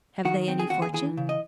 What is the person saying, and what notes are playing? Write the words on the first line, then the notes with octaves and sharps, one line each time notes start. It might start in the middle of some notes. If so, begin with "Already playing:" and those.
"Have they any fortune?"
D#3 F#4
C4
G#4
D#2 F#4
G#4
E3 G#4
C#3
D#5